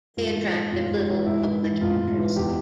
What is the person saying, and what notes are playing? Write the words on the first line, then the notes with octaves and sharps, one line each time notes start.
They attracted little public interest.
G#2 F4
E3
E3
G#2 F4
G#2
E3
G#2 E4
E3
E3
G#2 F4
G#2
E3
E2 G4